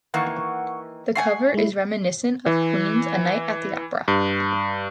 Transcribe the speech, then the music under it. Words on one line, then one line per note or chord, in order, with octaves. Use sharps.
The cover is reminiscent of Queen's "A Night at the Opera".
D#3 E3 A#3 F#5 C#6
A3 F#5 G#5 C7
G#3 E4
E3
G2